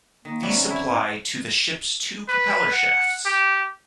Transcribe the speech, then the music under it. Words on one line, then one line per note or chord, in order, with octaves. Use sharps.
These supply to the ship's two propeller shafts.
D#3 A#3
C3 F#3 G3
C#4
E4
G#2
B4
F#5
G4